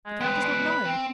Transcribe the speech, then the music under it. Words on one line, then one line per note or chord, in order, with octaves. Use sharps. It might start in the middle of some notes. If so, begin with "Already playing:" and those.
"The count does not know?"
G#3
G3 G#3 B4
G#3 D5
C4 B5
C4